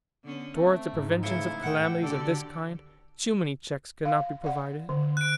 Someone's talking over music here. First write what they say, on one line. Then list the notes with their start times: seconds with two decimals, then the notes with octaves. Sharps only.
Towards the preventions of calamities of this kind, too many checks cannot be provided.
0.24 D3 B3 C#4
0.54 A3 C4
0.93 G#2
1.23 C#3 E3 A3 E4
1.63 A2 A4 F#5 G5
2.03 D3 F#4 G4 A4 D5
4.05 F5
4.44 D5 F#5
4.89 D3
5.17 F#6 D7